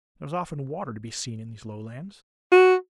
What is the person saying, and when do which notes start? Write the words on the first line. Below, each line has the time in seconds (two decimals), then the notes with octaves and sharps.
There was often water to be seen in these Lowlands.
2.52 F#4